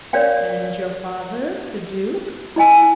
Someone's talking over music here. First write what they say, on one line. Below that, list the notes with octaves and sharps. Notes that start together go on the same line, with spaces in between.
"And your father--the Duke?"
A#4 C#5 D5 F5 G5
E4 D#5 G#5 A5